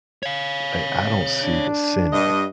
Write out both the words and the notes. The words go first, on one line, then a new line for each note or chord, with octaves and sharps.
a I don't see the sin in it.
C#5 F5
D4
G2 D#5